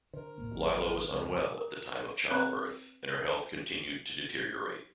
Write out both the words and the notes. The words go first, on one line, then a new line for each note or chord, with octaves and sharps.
Lila was unwell at the time of childbirth, and her health continued to deteriorate.
D3 A#4 C5
D2 A2 A#3
D#1 G#1 F#3
B4
C#2
A#4
C4 B4 C#5 A#5 B5 F#6